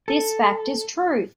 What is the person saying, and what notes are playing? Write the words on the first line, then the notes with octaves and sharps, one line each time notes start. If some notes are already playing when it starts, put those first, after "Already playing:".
This fact is truth!
A4